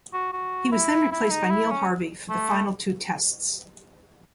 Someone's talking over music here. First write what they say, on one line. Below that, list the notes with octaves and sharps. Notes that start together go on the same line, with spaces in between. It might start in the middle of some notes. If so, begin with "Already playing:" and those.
He was then replaced by Neil Harvey for the final two Tests.
F#4
F#4
E4
E4
D#4
E4
C#4
A3